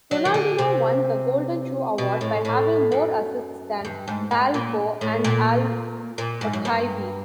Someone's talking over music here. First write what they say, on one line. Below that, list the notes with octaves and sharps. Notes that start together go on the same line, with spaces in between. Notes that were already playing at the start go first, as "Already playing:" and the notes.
Ronaldinho won the Golden Shoe award by having more assists than Blanco and Al-Otaibi.
F#3
D#3
D3
C3
B2
A2
A2
F#2
G2
G#2
G#2
A#2
A2
A#2
A#2
G#2
F#2
G2